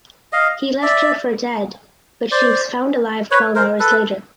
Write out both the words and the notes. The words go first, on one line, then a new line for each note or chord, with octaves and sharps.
He left her for dead but she was found alive twelve hours later.
D#5 F5
D5 E5
C5 D5
B4 C#5
A#4 C5
A4 B4